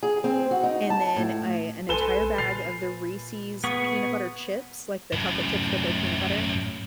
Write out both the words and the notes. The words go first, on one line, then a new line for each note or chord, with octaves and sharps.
and then a an entire bag of the Reese's peanut butter chips, like the chocolate chips, but they're peanut butter,
G#4
C4
F#4
D#4
A5
A2
B1 A4 B4 G#5 C6 E7 G7
A#2 A6 C7 F7
B3 G#4 C#6
F#2 A2